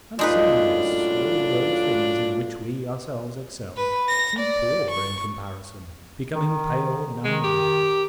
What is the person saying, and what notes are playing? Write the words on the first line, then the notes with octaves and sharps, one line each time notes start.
And, seeing this, all those things in which we ourselves excel seem poor in comparison, becoming pale in our memories.
F#2 A2 G#3 D4 D#4 F4 B4
B4
A#6
D5
C#6
D#3
D#3 G#3
G4